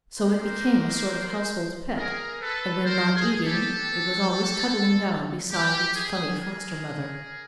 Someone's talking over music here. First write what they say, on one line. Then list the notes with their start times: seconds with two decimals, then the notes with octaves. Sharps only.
So it became a sort of household pet, and when not eating, it was always cuddling down beside its funny foster-mother.
0.18 G#3 C4 D#4 G4 A#4 C5
1.96 G#4 A#4
2.40 A4 B4
2.85 A#4 C5
3.15 G#4
3.44 G4 A4
3.74 B3 D4 G4
5.51 G4
5.96 G#4
6.41 G#4 A#4